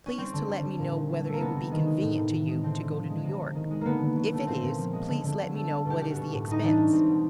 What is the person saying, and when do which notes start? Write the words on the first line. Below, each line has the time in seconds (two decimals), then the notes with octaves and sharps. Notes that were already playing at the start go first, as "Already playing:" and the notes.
Please to let me know whether it would be convenient to you to go to New York if it is please let me know what is the expense.
0.06 C#4
0.18 G3 C4
0.33 D3
0.48 G3
0.63 D3
0.79 A#2
0.94 A#2
1.09 F#3
1.25 A3
1.33 A#3
1.40 C3 B3
1.55 C3
1.72 D#3
1.86 G#3
2.01 A2
2.17 A2
2.32 E3
2.48 G#3
2.63 D3 C4
2.79 D3
2.93 F3
3.09 G#3
3.25 C3
3.40 C3
3.55 D#3
3.70 G#3
3.81 D3 A#3 B3
4.01 D3
4.16 F#3
4.32 A3
4.47 A#2 C4
4.63 A#2
4.78 F3
4.93 G#3
5.09 D3
5.24 D3
5.39 F#3
5.55 A3
5.70 G3
5.85 B2
5.90 G4
6.01 G3 G4
6.11 F#4
6.16 B2
6.32 A2
6.47 A2 D#4
6.63 E3 D4
6.72 C#4
6.77 G3
6.92 G#3 C4
7.09 B2